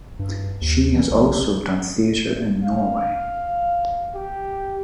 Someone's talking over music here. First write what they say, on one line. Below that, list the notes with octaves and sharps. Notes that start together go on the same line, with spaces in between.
She has also done theater in Norway.
G2
D#2
E3
B1
F5
G4